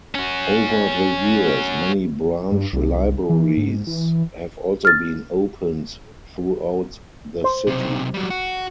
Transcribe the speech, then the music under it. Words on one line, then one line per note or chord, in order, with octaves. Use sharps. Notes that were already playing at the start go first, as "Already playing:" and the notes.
Over the years, many branch libraries have also been opened throughout the City.
C#4 F#4
G2
C2
E3
G#2
E3
F6 A6
C5
B1 C3
F#3 G3
F#4